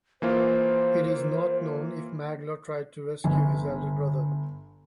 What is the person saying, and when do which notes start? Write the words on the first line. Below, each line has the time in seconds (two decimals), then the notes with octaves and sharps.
It is not known if Maglor tried to rescue his elder brother.
0.22 E3 A#3 F4 C5
3.24 G1 G#5